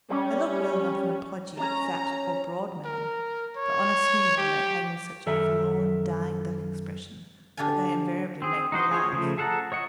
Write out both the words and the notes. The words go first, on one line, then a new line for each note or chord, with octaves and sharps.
They look well enough on a podgy, fat, or broad man, but on a skinny one they hang with such a forlorn, dying-duck expression, that they invariably make me laugh.
G3 C#4
C#4 A#5
A#4
C#5
G4
F#2 D#3 A4 A#4 E5
D3 G4 A4 F5 G#5
C4 G#4
D#4 F#4 C5 D#5
F4 G#4 C5 C#5
C#3 F3 A3
G#4 A4 F#5 A5 A#5
C#5 D#5 F#5